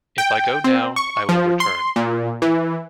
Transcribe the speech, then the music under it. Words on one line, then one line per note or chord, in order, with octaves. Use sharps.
If I go now, I will return.
G5
C4
C#6
F3
C6
A#2
E3